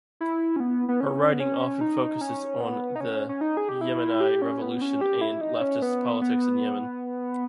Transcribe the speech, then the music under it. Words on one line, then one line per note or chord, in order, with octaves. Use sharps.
Her writing often focuses on the Yemeni Revolution and leftist politics in Yemen.
E4
C#4
B3
B3
C#4
B3
C#4
D#4
C#4
B3
D#4
C#4
C#4
D#4
G#4
G4
E4
G4
C#4
B3
C#4
G4
E4
D#4
C#4
B3
B3